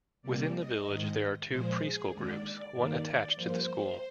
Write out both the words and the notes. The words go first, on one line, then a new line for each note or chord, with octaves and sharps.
Within the village there are two pre-school groups, one attached to the school.
C3 G3 A#3 D5
D#5
G#2 D#3 G#3
A#2 F3 G#3 C5
G#4
D#2 D3 G#3 D5
G2 D#3 A#3 D5
G2 F3 A#3 C5